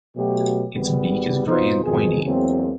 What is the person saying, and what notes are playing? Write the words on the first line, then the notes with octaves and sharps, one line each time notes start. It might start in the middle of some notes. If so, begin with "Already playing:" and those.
Its beak is grey and pointy.
B2 F#3 A3 G4
G#1 G3 B3
F2 B2 B3 D#4 F4 C5
G#1 F2 B2 D#3 D#4 G#4
E2 F#3 G#3 A#3 C4